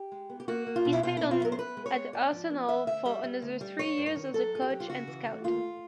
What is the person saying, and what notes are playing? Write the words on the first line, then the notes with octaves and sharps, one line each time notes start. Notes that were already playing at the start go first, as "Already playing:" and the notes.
He stayed on at Arsenal for another three years as a coach and scout.
Already playing: G4
G#3
B3
G4
A#3 F#4
A#3
F4
B2
E4
B2 F4
B2 E4
F4
F#3 A#4
C5
B3 B4
G#3
C#5
B3
G#2 D5
F3
B3
E3 E5
D2 E5
G3 E5
G3
D2
G3
G2 C#5
G2
C#5
D#3
F#3 A4
G2 G#4
G4
F#3
F4
C#3 F#4
E3
A3
D#2 F4